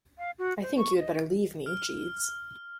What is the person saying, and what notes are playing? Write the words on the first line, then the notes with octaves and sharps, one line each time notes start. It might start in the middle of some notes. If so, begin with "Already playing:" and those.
I think you had better leave me, Jeeves.
F5
F#4
C5
C#6
D#5
F6